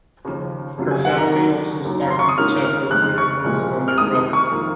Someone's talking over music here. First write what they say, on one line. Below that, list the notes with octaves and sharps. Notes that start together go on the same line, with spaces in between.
Her family also started the Chapel of Miracles on their property.
D#2 C#3 F3
F2 C3 F#3 C#4 F4
G#5
F#5
A#5
D#2 D#3 F#3
D#2 D#3 F#3
A#5
C6
C#6
D#6
G#2 D#3 A#3 C#4 F4 F6
F6
F2 D#3 G#3 F#6
C#6
C2 A#2 F3 G#3
F6
C2 C3 D#3 G#3 D#6
D#6
C#6
F2 D#3 A#3 F4